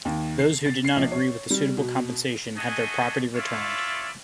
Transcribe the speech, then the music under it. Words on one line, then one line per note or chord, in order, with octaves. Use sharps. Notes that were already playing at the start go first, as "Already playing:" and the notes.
Those who did not agree with the suitable compensation had their property returned.
D#2
C7
A6
C7
A#1
C#5
G3
B2
A3 D4 F#4 G#4 D#5 G#5
C#4 E4 F4 C#5 D5 E5